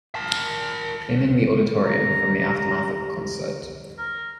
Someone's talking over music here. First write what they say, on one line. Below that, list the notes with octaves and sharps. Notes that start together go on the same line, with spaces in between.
Cleaning the auditorium from the aftermath of a concert.
A#4 A5
G4 A#5
A#4